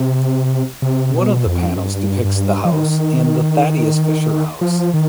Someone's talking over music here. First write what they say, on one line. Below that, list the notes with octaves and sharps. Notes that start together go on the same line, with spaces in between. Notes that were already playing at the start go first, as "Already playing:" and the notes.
One of the panels depicts the house and the Thaddeus Fisher House.
Already playing: C3
C3
B2
F2
G2
G2
F3
D#3
F3
D#3